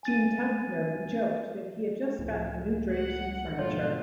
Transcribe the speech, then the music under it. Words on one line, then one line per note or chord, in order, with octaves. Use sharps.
Gene Telpner joked that he had just gotten new drapes and furniture.
G#5 A6 D#7
C#2 A2 F3
F#5
G#2 B2 F3 A3 F4 C#5